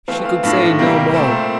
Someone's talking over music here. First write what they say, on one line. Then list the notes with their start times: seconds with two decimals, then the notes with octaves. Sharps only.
She could say no more.
0.08 E3 A3 C4 F5
0.25 F5
0.43 A2 F3 A3 D4 F5
0.79 C3 G3 A#3 F5
1.14 A#2 A3 C4